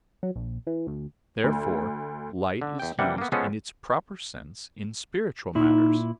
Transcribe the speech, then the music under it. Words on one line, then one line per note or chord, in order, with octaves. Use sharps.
Therefore light is used in its proper sense in spiritual matters.
F#3
A#1
E3
D2
D2
D3
E2 G5
C3 E3 G3 A#3 F#5
A#3 B3
F3 G#3 B3 C#4 G#4 A4
A#2 D#4 E4